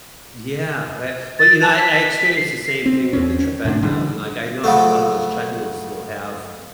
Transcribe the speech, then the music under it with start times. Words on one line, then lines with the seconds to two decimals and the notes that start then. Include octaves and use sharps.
Yeah, that Well, you know, I I experienced the same thing with the treadmill, you know, like, I know that a lot of those treadmills will have,
1.39 A6
1.63 A5
1.77 B6
2.23 B6
2.37 C7
2.86 C4
3.13 E2 C4 C#4
3.39 C#4
3.65 G#2 C3 A3 D4
3.82 D3 E3 G3 D4
4.64 C#3 F3 F#3 A3